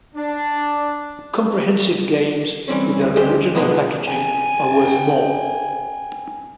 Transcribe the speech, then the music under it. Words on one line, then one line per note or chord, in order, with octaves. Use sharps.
Comprehensive games with their original packaging are worth more.
D4
E3 G3 C4 C#4
D2
D2 G#3 G4 C5
B2 D3 E3 F3 G#3 B3
G5 G#5